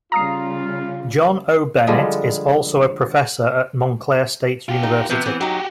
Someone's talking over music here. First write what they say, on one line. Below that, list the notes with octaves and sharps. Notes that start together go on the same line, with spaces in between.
John O. Bennett is also a professor at Montclair State University.
C#3 G3 F4 A#5 D#6 C7
D3 F3 G3 G#3
F4 G4
D#4
C3 F3 B3
E3 C4
F#3 D#4 F#4 G4